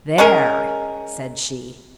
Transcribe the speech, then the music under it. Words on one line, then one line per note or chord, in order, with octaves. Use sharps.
"There!" said she.
G#3 C#4 G#4 A#4